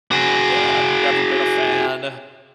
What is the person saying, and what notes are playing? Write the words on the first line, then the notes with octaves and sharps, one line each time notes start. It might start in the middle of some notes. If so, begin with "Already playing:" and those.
Ugh, I've never been a fan,
F#4 G#4